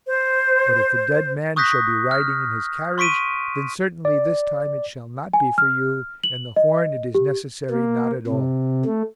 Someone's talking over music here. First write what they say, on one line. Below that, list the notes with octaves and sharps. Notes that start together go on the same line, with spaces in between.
But if the dead man shall be riding in his carriage, then certainly this time it shall not be for you and the horn it is necessary not at all.
C5
C#6 D#6 F#6 G6 A#6 B6
F6
C6 C#6 B6 D7 D#7
D5
G#5
F6
F#7
D#5
G4
A#3
C3
A3